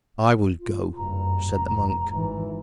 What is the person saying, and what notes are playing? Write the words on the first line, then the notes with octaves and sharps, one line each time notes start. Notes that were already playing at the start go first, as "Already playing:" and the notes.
"I will go," said the monk.
F4
F#1 G2 A#5
F1
G#1 E3